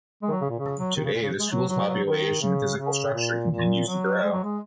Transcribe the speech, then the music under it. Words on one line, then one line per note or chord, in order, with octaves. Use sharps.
Today, the school's population and physical structure continues to grow.
G#3
D#3
F#3
C#3
A#2
C#3
F#3
D#3
C#3
A#2
C#3
G#3
F#3
F#3
F#3
D#3
C#3
C#3
A#2
A#2
F#3
G#3
F#3
G#3